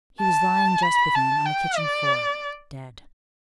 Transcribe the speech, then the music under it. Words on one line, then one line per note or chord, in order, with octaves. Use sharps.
He was lying just within, on the kitchen floor, dead.
A5
B5
A5
G5
D5